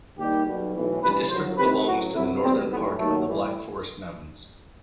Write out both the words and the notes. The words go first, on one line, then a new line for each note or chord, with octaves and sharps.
The district belongs to the northern part of the Black Forest mountains.
D#2 D#3 G3 G4
B1 B2 G3
B1 A2 E3
A1 G2 E3 G3 B4
G1 F#2 F#3 C5
C2 C3 D#3 B4
A1 A2 F#3 F#4
C2 C3 F#3 E4
F#1 E2 B2 G3 C4
B1 A2 E3 G3 B3
D#2 D#3 F#3 A3
A1 A2 E3 G3